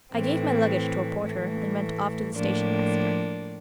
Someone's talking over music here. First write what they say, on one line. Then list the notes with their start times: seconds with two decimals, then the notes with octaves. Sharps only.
I gave my luggage to a porter and went off to the station-master.
0.11 A2 E3 A3 C4
1.23 A2 E3 A3
2.35 A2 F3 A#3 D4